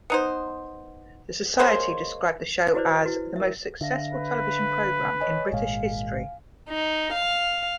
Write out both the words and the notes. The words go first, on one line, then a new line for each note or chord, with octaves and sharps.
The society described the show as "the most successful television programme in British history".
B3 D#4 C5
G#3 A#3 C5 C#5
E4 F#4 G#4 B4 C5 D5
E4 F#4 B4
A#4 E5
D3 E5 F5 A#6
B4
C#5 D#5 G#5
G#1 A#2 G#3 F5 G#5
D#4
F5